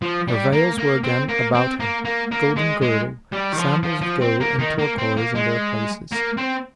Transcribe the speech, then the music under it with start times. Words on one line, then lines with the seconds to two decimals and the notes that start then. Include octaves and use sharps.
Her veils were again about her; golden girdle, sandals of gold and turquoise in their places.
0.02 F3
0.28 G3
0.52 A#3
0.78 A#3
1.04 C4
1.29 A#3
1.55 C4
1.80 A#3
2.05 A#3
2.31 A#3
2.56 G#3
2.82 G#3
3.32 G3
3.52 D#3
3.57 F3
3.83 F3
4.02 F3
4.21 C4
4.40 A#3
4.59 D#3
4.79 A#3
4.98 C4
5.17 A#3
5.35 G#3
6.12 A#3
6.37 C4